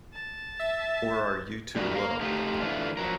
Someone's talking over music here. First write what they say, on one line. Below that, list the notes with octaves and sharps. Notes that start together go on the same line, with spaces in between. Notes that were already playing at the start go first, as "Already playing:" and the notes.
Or are you too low?
A5
E5
G3 A3 D4 F4 F#4 A#4
A#4 F5
A3 D#4 F4 G4 A4
D3 E3 A3 D4 F4
F3 F#3 A#4